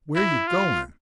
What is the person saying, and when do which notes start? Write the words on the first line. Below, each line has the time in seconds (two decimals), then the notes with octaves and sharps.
Where you going?
0.16 E4
0.47 F4